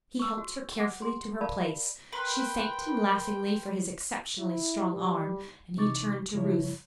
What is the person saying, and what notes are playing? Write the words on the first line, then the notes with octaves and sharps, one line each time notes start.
He helped her carefully to her place; she thanked him laughingly for his exceptionally strong arm, and he turned to Ruth.
C#6 E6
F#4
F#5 D6
G#4 C6
A#4 D5 F5 A5 B5
A#4 B4 G5 B5 C6
E4
G3
C3 E3 D#4 C#6 D6 A6
F#2 C#3 F3 G3 E4 C#5